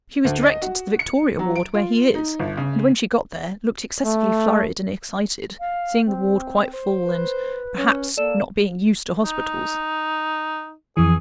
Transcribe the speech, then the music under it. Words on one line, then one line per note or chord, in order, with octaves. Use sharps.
She was directed to the Victoria Ward, where he is; and when she got there, looked excessively flurried and excited--seeing the Ward quite full, and, perhaps, not being used to hospitals.
D2
D#5
F#4
C#7
F#3
D7
F4
D#4
G1
C#3
A3
F5
C4
C5
B4
C#4
A#3 A4 D5 E7
D#4
F2 E3 G#4